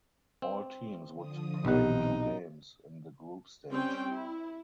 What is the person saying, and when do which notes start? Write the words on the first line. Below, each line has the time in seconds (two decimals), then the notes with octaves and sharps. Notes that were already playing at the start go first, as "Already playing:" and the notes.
All teams would play two games in the group stage.
0.42 C4
1.14 D3 F3 D#6
1.65 B1 A#2 E3 B3 C4 D#4 G4 F#5
3.70 G3 C4 C#4 G5
4.11 E4